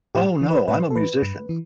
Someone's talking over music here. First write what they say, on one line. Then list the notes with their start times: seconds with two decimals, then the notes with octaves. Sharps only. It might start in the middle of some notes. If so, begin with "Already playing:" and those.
Oh, no, I'm a musician.
0.15 A2 G4
0.41 E3
0.50 B4
0.68 A2 B4
0.90 A4
0.96 E3 B4
1.22 G2
1.49 E3